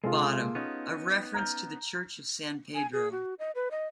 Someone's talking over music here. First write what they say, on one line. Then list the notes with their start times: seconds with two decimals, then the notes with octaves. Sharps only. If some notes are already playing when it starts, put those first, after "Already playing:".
Bottom: A reference to the Church of San Pedro.
0.04 C3 G#3 F4 G#4 A4
0.55 B3 C#4 D#4
1.34 A#5 F6 G6
2.75 G#5
2.93 G#4
3.12 F#4
3.39 D#5
3.55 B4
3.71 D#5